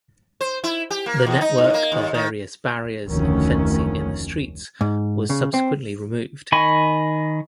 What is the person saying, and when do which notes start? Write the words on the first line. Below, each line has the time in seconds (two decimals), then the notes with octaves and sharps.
The network of various barriers and fencing in the streets was subsequently removed.
0.41 C5
0.64 E4
0.90 G4
1.06 A#3
1.26 E2
1.41 D#4
1.58 A2
1.74 A#3
1.92 D#2
2.14 D#3
3.08 F1 D2 D#3 C#4
4.81 G#2
5.29 C#3
5.54 C4
6.52 D#3 D#5 G#5 B5 C#6